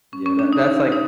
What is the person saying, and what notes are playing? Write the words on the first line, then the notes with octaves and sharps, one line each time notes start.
Yeah. That that's like
C#4
C#4
D4
D#4
D#4